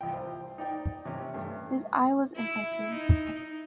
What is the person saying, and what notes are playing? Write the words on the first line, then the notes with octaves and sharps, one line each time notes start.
His eye was infected.
C2 F4 G5
C5
D#4 D5 G5
C3 C#4
G2 A3
E4
D#4